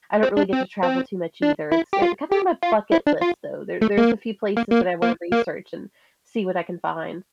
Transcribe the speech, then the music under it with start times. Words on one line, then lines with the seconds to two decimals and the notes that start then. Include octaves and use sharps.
I don't really get to travel too much either. It's, uh, kinda on my bucket list, though. There there's a few places that I wanna research and see what I can find.
0.23 C4
0.37 D4
0.53 C4
0.83 C4
1.42 D4
1.72 E4
1.93 G4
2.02 F4
2.32 G4
2.63 F4
2.92 E4
3.07 D4
3.21 F4
3.81 A3
3.97 A#3
4.57 A#3
4.72 A#3
5.02 A#3
5.32 A#3